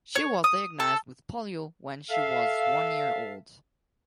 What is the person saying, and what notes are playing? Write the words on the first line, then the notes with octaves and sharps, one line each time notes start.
She was diagnosed with polio when she was one year old.
C#5
D#6
A4
A4 E5 F5